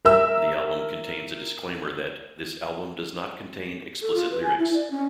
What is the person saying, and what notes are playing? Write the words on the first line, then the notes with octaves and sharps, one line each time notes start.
The album contains a disclaimer that 'This album does not contain explicit lyrics.
A#4 E5 E6
A4
F4
B4
G#5
E4
D5
C#4